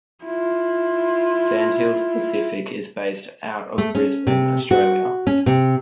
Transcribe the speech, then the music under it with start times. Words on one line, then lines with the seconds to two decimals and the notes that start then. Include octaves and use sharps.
Sandhills Pacific is based out of Brisbane, Australia.
0.24 E4 F4
3.78 A3
3.95 C#4
4.27 C3
4.71 F#4
5.27 C#4
5.46 C3